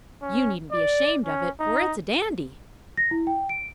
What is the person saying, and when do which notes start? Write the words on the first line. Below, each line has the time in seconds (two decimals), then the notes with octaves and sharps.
You needn't be ashamed of it, for it's a dandy.
0.22 C#4
0.72 D5
1.25 C#4
1.60 D#4
2.97 A#6
3.11 E4
3.27 G5
3.49 D7